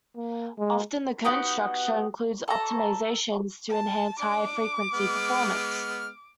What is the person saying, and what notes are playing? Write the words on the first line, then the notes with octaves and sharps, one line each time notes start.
Often the cone structure includes optimizations to enhance high-frequency performance.
A#3
G#3
B3 D#4 F#4 G4
A4 A#5
A5
D4 D6
G#3 B3 F6